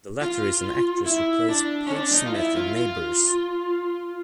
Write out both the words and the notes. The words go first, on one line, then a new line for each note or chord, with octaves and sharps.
The latter is an actress who plays Paige Smith in "Neighbours".
F4
E4
D4
C#4
D4
D#4
F4
E4
F4
F4